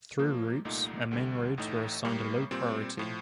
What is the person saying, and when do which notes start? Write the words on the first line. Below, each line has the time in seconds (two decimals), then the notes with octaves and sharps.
Through-routes and main roads were assigned a low priority.
0.18 A#2 F3 A#3
0.65 C2 A#2 A3 D#4
1.11 D2 D3 G3
1.57 A1 A2 A3 D#4
2.05 A2 G3 A#3
2.51 A#2 G3 C4
2.97 A2 F3